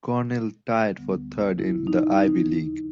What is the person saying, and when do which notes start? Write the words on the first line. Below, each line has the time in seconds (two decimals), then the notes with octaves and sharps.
Cornell tied for third in the Ivy League.
0.98 D2 D3 G3 B3
1.58 E4
1.87 D#4
2.17 D#2 C#3 F3 D#4